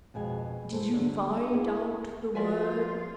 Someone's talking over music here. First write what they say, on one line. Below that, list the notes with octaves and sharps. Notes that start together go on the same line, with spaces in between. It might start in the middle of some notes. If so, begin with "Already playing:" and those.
"Did you find out the word?"
F2 B2 G#3 G#5
G#2 E3 A4 C5
D3 F#3 G#3 A3
E4 G4 G#4 F5 F#5
F3 F4 F#4 A#4 B4 D5 E5 G#5